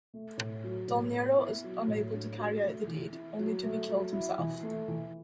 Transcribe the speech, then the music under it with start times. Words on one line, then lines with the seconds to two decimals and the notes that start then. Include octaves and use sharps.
Dolnero is unable to carry out the deed, only to be killed himself.
0.14 A3
0.37 A2
0.64 F#3
0.88 A2
1.13 B3
1.37 E4
1.63 F#3
1.87 A2
2.13 D4
2.38 F#4
2.63 A3
2.87 E3
3.12 E4
3.38 F#3
3.63 A3
3.88 F#3
4.12 E4
4.38 E3
4.63 A3
4.88 E3